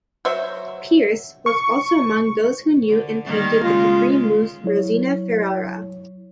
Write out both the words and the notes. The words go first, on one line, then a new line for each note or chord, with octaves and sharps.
Pearce was also among those who knew and painted the Capri muse Rosina Ferrara.
F#3 C5 E5
C#6
D3
D#3 G3 A#3
C#3 G#3 F4
F#3 E4 C#5